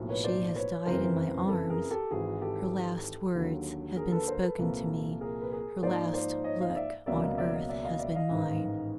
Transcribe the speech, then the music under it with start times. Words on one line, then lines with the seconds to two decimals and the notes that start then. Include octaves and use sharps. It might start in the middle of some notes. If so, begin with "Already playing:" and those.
She has died in my arms: her last words have been spoken to me, her last look on earth has been mine.
Already playing: B1 A2 F3 A#3
0.09 B4 C#5
0.24 C5 D5
0.55 B4 C#5
0.86 F#1 F2 C#3 E3 A#4 C5
1.48 A4 B4
1.70 G#4 A#4
1.91 G4 A4
2.11 G#1 G#2 E3 F#4 G#4
2.42 G4 A4
3.35 D#2 D3 F#3
3.96 G#4 A#4
4.12 A4 B4
4.28 A#4 C5
4.43 A4 B4
4.58 C2 A#2 F3 A#3 A4 B4
5.21 G#4 A#4
5.42 B4
5.51 G#4 A#4
5.83 G#2 F3 A#3 D#4 C5 D5
6.13 C5 D5
6.44 C#5 D#5
6.60 D#5 F5
6.76 D5 E5
7.06 C#2 B2 F#3 A#3 D5 E5
7.22 D#5 F5
7.38 D5 E5
7.53 D#5 F5
7.69 D5 E5
7.84 D#5 F5
7.99 D5 E5
8.15 D#5 F5
8.30 A1 G#2 D#3